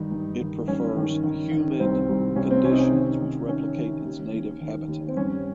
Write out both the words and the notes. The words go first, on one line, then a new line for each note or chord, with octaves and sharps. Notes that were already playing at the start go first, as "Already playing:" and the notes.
It prefers humid conditions which replicate its native habitat.
Already playing: G2 D#3 D#4
G2
D#3
G2 C#4
D#3
D#3
D#3
C2 C4
C2
C2 C#4
C4
C3 C#4
D#4
C#4
D#3
D#3
D#3 C#4
D#3
D#2
D#2
D#3
D#2
C4
G2 C#4